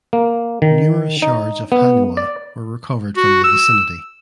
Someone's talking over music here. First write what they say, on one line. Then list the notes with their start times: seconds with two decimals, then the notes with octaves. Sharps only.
Numerous shards of "haniwa" were recovered from the vicinity.
0.13 A#3
0.62 D#3
1.22 D#4
1.72 B3
2.17 D5
3.16 F#4
3.44 E6